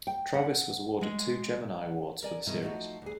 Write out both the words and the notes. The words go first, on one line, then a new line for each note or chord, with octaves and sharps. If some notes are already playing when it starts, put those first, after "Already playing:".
Travis was awarded two Gemini Awards for the series.
G5
F#5
G#3
A#4 D5 G#5
G2 B2 D#3 G#3 E4
F3 A3 D#4 F4 F#4
D2 G#4